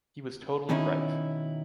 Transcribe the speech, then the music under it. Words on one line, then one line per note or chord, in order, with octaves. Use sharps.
He was totally right.
B2 D#3 C#4 D#4 E4